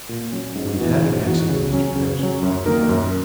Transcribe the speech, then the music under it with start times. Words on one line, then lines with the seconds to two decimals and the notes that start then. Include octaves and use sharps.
"We've had an accident, Mr. Phipps," replied Tad.
0.09 A#2
0.32 F#3 C#4
0.55 G#2
0.79 E3 B3 D#4 F#4
1.02 G#2
1.25 E3 B3 D#4 F#4
1.49 C#3
1.72 F#3 C#4
1.95 C#3
2.19 F#3 C#4
2.43 F#2
2.66 D#3 A#3 D#4 A#4
2.89 F#2